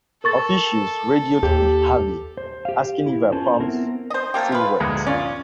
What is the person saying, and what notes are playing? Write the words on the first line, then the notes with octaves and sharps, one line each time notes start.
Officials radioed the "Harvey," asking if her pumps still worked.
A4 A#4 C#6 A6
D#2 G4
C5
G4 F5
E4
C#4 F4 A4 B4 C5
B3 C4 E4 A#4
C5 D#5
A3 A#3 G4
F4 B4
D2 G#3 A#3
C#4 F4 D5